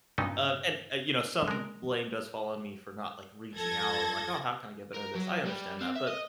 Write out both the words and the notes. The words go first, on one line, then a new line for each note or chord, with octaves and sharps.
Um, and, uh, you know, some blame does fall on me for not, like, reaching out and, like, "Oh, how can I get better at this?" I understand that, but
G2 A#2 F#3 B3 C#4 D#4
G#3 A#4
F2 A4 G#6 A#6
A#4
F#3
G3
C4
E5
D#5